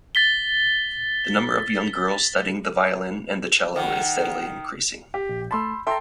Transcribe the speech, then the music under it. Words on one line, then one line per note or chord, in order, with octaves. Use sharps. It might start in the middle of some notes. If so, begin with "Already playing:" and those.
The number of young girls studying the violin and the cello is steadily increasing.
A6 B6 G7
D#3 F#5
G4
A#1
A3 A5 B5 C6 E6
A4 E5 G5 A#5 C6